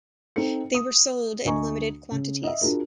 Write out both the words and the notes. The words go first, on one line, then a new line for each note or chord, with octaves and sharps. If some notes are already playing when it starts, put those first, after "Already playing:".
They were sold in limited quantities.
C4 D#4 A4 C#7
D#6
D2 D#5 G#5 A#5 C#6
C#3
D#5 E5
D4 F4 F#4 G#4 A#4